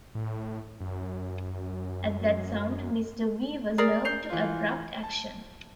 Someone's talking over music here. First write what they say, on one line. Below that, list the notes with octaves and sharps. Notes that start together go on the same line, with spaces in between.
At that sound Mr. V. was nerved to abrupt action.
A2
F#2
G#4 A#4 D5
G6 C7 F7
E3 F4
A5